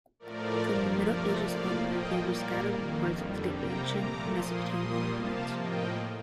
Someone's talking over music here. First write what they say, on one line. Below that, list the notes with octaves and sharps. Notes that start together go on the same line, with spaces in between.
From the Middle Ages onward, there were scattered reports of ancient Mesopotamian ruins.
A2 F3 A3 A#4 D5
G2 F3 A#3
C3 F3 A3 A#4 D5
A2 F3 A#3 D5 F5
A2 F3 A#3 D#5 G5
A#2 G3 A#3 A#4 D5
F2 D#3 A#3
F2 D3 G3
C3 G3 A#3 G5 A#5
A#2 F3 A3 A#5 D6
A#2 F3 A#3 C6 D#6
A#2 G3 A#3 C6 D#6
C3 F3 A#3 F5 A5
A2 F3 A#3 D#5 G5